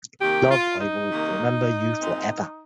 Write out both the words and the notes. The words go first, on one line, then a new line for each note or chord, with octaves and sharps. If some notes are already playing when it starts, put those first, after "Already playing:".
Love, I will remember you forever.
C3 D#3 A#3 G4
F4
D#4
C3 D#3 A#3
A#2 G#3 C4